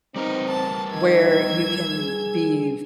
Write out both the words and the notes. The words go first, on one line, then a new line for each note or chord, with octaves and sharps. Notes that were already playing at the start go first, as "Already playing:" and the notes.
where you can be f
G3 C4 D#4 A#4 B4
A5
D#3 E6 G#6
G#4